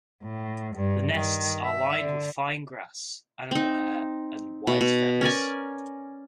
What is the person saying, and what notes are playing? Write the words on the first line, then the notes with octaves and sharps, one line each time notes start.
The nests are lined with fine grass, animal hair and white feathers.
A2
G2
G2 D#3
E5
D3
C4 D#4
B2
B2
C#4 A#4 D5 G#5